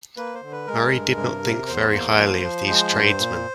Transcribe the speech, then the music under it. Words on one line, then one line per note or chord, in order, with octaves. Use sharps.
Murray did not think very highly of these tradesmen.
A#3 B4
C5
D3
B4
G#3 A#4
G2
C3
C3
E2 C5
A#3
F3
F3
G#3 C5
G2
A#2